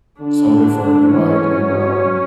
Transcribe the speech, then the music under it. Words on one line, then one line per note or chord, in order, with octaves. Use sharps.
sold it for an e-bike and, um
D3 D4
E3 C#4
F#3